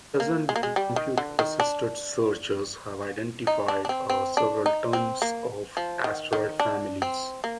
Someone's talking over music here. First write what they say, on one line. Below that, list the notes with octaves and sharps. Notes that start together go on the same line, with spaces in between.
Present day computer-assisted searches have identified several tens of asteroid families.
A#3
G#3
A#3
G#3
G3
D#3
D3
D#3
D4
D#4
D4
D4
C4
C4
D4
D#4
C4
A#3
F3
D#3
D#3
D4
C4
A#3